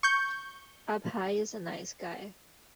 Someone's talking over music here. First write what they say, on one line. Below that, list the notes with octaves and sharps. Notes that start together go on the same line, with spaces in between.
Abhay is a nice guy.
C#6 G6